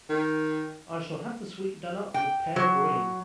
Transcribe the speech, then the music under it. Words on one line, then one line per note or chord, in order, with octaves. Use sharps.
I shall have the suite done up with pale green.
D#3
G5
F#3